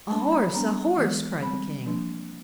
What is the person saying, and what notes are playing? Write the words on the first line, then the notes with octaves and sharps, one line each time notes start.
'A horse! a horse!' cried the king.
G3 A#3 D4 A5
B5
A#5
B5
G3 B3 D4 A#5
E3 G#3 B3
G3 C4 B5
F3 A#3 D4